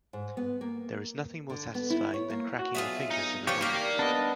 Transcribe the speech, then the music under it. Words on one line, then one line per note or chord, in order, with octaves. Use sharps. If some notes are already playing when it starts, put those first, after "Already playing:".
There is nothing more satisfying than cracking your fingers in the morning.
G#2
B3
A#3
D3
B3
E4
C#5
A#3
F#4
B1 F4 G#4 E5
D#4
E2 E3 F3 C#4 G4 C#5 F5
D#3 G3 A#3 G4 F5
B3 D4 D#5